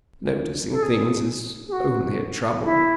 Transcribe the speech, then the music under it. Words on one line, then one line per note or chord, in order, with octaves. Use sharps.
Noticing things is only a trouble.
A4
G#4
G#4
F#4
E4